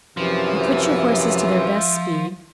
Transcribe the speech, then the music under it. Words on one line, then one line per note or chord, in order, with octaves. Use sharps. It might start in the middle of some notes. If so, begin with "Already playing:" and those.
"You put your horses to their best speed."
F#2 C3 E3 F3 E5